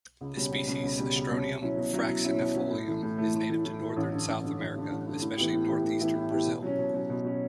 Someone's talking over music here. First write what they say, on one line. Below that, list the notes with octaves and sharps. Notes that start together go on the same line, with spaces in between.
This species, "Astronium fraxinifolium", is native to northern South America, especially north-eastern Brazil.
C#2
B2 G3 C#4
C#2
B2 G3 C#4
C#2
B2 G3 C#4
C#2
B2 G3 C#4
B2
F#3 C#4 E4
B2
F#3 C#4 E4
B2
F#3 C#4 E4
B2
F#3 C#4 E4
A2
E3 A3
A2
E3 A3
A2
E3 A3
A2
E3 A3
A1
G2 D3
A1
G2 D3
A1
G2 D3
A1
G2 D3
A2
E3 B3 E4 G4
A2
E3 B3 E4 G4
A2
E3 B3 E4 G4
A2
E3 B3 E4 G4
B2
F#3 C#4
B2
F#3 C#4
B2
F#3 C#4